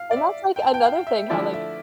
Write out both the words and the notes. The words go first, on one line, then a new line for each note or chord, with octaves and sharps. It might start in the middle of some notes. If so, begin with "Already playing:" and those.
And that's like another thing how, like,
Already playing: F5 F6
D5
E5
G5
A5
G5
F5
E5
D3 F3 A3 E4 D5
E5